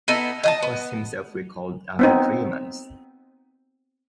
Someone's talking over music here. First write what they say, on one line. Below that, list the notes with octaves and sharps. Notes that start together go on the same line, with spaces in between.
Hunt was himself recalled after three months.
B3 D#4 E4 A4
D#5 F5 A5
B3
B3 C4 D#4